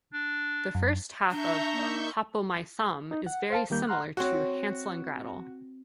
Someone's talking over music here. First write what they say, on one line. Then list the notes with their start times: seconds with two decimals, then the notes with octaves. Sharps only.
The first half of "Hop-o'-My-Thumb" is very similar to "Hansel and Gretel".
0.13 D4
0.75 F#2
1.31 D4 E5 A#5 C#6 G6
1.73 A#3 D#4 D5
3.11 D#4
3.26 F#5
3.50 C5 F5 A5
3.70 D#3 G3 A#3 G6
3.87 F#5 A#5 C6 F6 F#6
4.17 C4 F#4 C#5 F#5